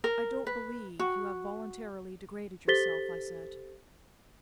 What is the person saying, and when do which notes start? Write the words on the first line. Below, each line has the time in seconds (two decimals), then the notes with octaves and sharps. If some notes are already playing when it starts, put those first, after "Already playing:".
"I don't believe you have voluntarily degraded yourself," I said.
0.04 A#4
0.47 B4
0.99 F#4
2.68 G4 A4 C5 A6 B6 G7